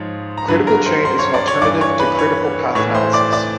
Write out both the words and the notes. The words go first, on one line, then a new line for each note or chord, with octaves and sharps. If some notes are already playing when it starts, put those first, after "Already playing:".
Critical chain is an alternative to critical path analysis.
Already playing: G#2 F3 C#5
A#5
G2 D3 F#3 B4 B5
A#4 A#5
C5 C6
C5 C6
C#5 C#6
D5 D6
C#5 C#6
G2 E3 D5 D6
C#5 C#6
B4 B5
C#5 C#6
A2 E3 C#5 C#6
C5 C6
D5 D6
D5 D6